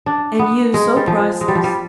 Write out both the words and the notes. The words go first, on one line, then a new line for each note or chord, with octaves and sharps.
And you so priceless!
D4
B3
G#3
G3
F3
G#3
G3
F3
G3